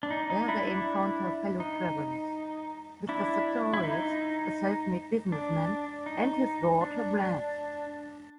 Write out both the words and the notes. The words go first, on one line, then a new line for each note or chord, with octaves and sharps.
There, they encounter fellow travelers: Mr Sartorius, a self-made businessman, and his daughter Blanche.
D4
D#4
D#4
D4 E4
D4 E4
D#4
D4 E4
E4
D#4
D4
D#4
D4